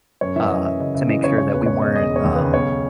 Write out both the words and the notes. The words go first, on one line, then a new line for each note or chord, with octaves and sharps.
uh, to make sure that we weren't, um,
F#2 C#5
E3 E5
F#2 D#5
F#2 E5
C#3 D#5
C#3 E5
E3 D#5
C#3 C#5
C#3 C#5
E1 B4
E1 C#5
E1 D#5
E1 D#5
E1
C#5
D#2
C#3 B4
B1 C#5